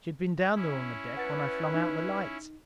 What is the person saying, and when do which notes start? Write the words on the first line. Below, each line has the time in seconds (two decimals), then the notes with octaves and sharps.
She had been down there on the deck when I flung out the lights.
0.55 C#4 E4
1.17 B4 F#5 A6 C#7
1.75 D#4